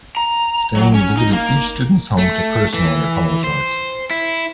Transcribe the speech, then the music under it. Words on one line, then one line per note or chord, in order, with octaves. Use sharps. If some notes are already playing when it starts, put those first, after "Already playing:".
Stanley visited each student's home to personally apologize.
A#5
F#3
C#4
D#4
A#3
A3
E3
C5
E4